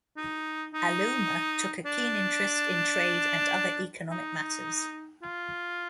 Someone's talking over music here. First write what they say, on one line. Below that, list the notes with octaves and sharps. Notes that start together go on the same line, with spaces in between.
Alooma took a keen interest in trade and other economic matters.
D#4
D#4
D4
D#4
F4